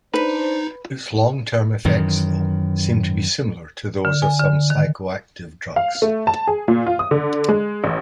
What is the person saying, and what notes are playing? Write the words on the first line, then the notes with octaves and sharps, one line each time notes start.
Its long-term effects, though, seem to be similar to those of some psychoactive drugs.
D4 D#4 B4 C5
F#2 D#3 E3
D3
G#5
D3
D#3
F5
A3
A5
G#4
A#2
F4
D#6
D3
G#3
A1